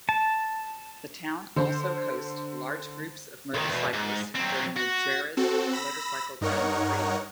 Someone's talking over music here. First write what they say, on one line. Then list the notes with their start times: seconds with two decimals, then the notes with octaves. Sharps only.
The town also hosts large groups of motorcyclists during the Jerez Motorcycle Grand Prix.
0.09 A5
1.56 D3 C5
3.54 C2 D#3
3.69 E2 B2
3.93 G#2
4.36 F#3 C4
4.77 F#4
5.37 C4 F#4 A4
5.73 B5 E6 A#6
6.41 G2 D#4 A#4 C#5 F#5